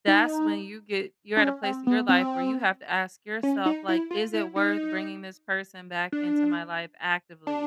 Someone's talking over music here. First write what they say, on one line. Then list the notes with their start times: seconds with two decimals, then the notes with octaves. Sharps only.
that's when you get you're at a place in your life where you have to ask yourself, like, "Is it worth bringing this person back into my life actively?"
0.07 D#4
1.37 D4
1.42 C#4
1.63 C4
1.87 B3
2.09 C4
3.43 C#4
3.66 D#4
3.89 E4
4.11 F4
4.33 E4
4.56 D#4
6.12 D4
7.47 D4